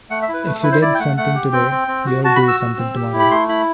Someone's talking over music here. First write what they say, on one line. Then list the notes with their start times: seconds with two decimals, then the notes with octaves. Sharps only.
If you did something today, you’ll do something tomorrow.
0.10 A3 F#5
0.22 E5
0.29 E4
0.34 B4
0.46 A3 B4
0.55 A4
0.63 E4 B4
0.72 C5
0.81 E4 D5
0.95 G5
1.00 A3 F#5
1.17 A3 F#5
1.35 G4
1.52 C4 G5
1.71 C4
1.88 C4
2.06 F#4
2.24 F#4 A5
2.36 B5
2.42 F#4
2.48 E6
2.60 F#4
2.78 C4
2.96 G4
3.13 E4
3.20 B5
3.31 A3 C6
3.49 E4 B5